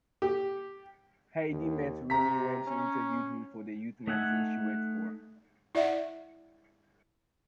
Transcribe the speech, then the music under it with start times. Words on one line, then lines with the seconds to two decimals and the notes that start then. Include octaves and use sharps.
Heidi met Remee when she interviewed him for the youth magazine she worked for.
0.22 G4
1.49 D#2
2.10 C3 A#5 B6
2.67 C#4
4.07 A3 D#4 E5 F#5 G#5
5.75 E4 D5 E5 F#5